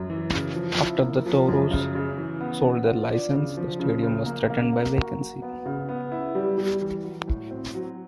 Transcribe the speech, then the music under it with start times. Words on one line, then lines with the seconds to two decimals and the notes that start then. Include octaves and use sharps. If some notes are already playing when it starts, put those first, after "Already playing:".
After the Toros sold their licence, the stadium was threatened by vacancy.
Already playing: F#2
0.10 E3
0.32 C#3
0.56 F3
0.79 E4
1.01 A#3
1.26 F3
1.48 F#2
1.71 C#3
1.95 C#3
2.18 E3
2.41 B3
2.64 B3
2.87 F4
3.11 D4
3.33 C#3
3.57 F3
3.80 C#3
4.03 C#3
4.26 A#3
4.50 A#3
4.73 A#3
4.96 F#4
5.19 F#3
5.42 B3
5.66 C#3
5.89 B3
6.12 E4
6.35 G3
6.58 G3
6.82 E3
7.04 F#3
7.27 A2
7.51 C4
7.74 F#3